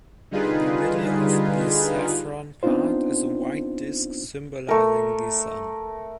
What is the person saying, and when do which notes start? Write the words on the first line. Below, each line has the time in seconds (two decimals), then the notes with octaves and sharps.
In the middle of the saffron part is a white disc symbolizing the sun.
0.31 D3 G3 D#4 F4 G#4 B4
2.63 B3 C4 D4 D#4 F4 C5
4.68 A3 A#4